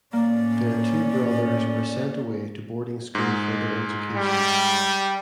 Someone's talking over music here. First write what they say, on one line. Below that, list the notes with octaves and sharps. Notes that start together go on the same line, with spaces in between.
Their two brothers were sent away to boarding school for their educations.
A2 A#3 C#4 D5
G#2 G#3
G3